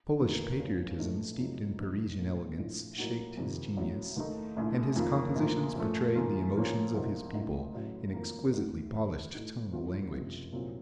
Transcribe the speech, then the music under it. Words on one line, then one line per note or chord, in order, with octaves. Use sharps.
Polish patriotism steeped in Parisian elegance shaped his genius, and his compositions portray the emotions of his people in exquisitely polished tonal language.
F1 F2 D#3 A#3 D#4
C#2 C#3 F#3
A#1 A2 F3 A3 D#4
F2 C3 F#3 A3 D#4
C2 C3 F3 C4 D#4
A#1 A#2 A3
A#1 A2 F3
A2 F#3 A#3 D#4 F#4
F2 C3 D#3
A1 A2 F#3
D#2 D#3 A3 D#4
A#1 A2 A3
F2 D#3 A#3 F4
A#1 A2 F3 A#3
F#2 F3 A3
F#2 D#3 A#3 F4
A#2 F3 A#3 C#4
C2 C3 F3 A#3 D#4
A1 A2 A3 D#4
A1 A2 F#3
F2 D#3 F#3 A#3
A2 A3 D#4 F#4
F1 F2 D#3
A2 A3 D#4 F#4
C2 C3 F3 A#3 F4
F#1 F2 C3 F3
C2 A#2 F#3 C4